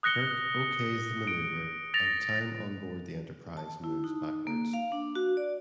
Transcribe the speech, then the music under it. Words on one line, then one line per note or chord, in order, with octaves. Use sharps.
Kirk okays the maneuver, and time on board the "Enterprise" moves backwards.
D#6 F#6 A#6 C#7 G7
D7
A6 A#6 F7
A5
E4
D#4
A#3
F5
D4
F#4
D5